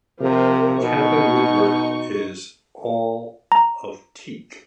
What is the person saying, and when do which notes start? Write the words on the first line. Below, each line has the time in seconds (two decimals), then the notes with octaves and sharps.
The cabin woodwork is all of teak.
0.21 C3 F3 A#4
0.81 B2 D#4 C#6
3.52 A#5